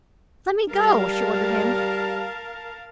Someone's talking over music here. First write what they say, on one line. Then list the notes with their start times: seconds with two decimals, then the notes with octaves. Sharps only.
"Let me go!" she ordered him.
0.71 G3 A#4 F5 A5